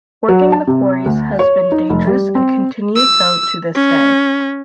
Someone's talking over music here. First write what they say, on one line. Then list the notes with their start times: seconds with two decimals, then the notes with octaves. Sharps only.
Working the quarries has been dangerous and continues so to this day.
0.28 F#3
0.52 A5
0.67 C3
1.06 D2
1.39 C#5
1.72 D#4
1.90 F1
2.07 G3
2.35 C4
2.96 E6
3.75 C#4